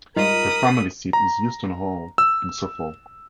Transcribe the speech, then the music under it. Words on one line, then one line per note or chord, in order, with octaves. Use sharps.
The family seat is Euston Hall in Suffolk.
G#2 G3 F4 A#4 D#5 B5 D#6
A#5
E6